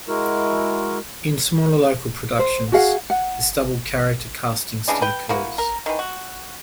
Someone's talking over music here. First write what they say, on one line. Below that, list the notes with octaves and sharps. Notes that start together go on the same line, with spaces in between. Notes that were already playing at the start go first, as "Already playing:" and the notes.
In smaller local productions, this double character casting still occurs.
G#3 E4 F#4 A#4
C5
F#4 G#4 F5 F#5
F#5
C#3 E3 G#3 D4
B4 G5
A#3 E4 F#4
A#4
D#3 E3
F#4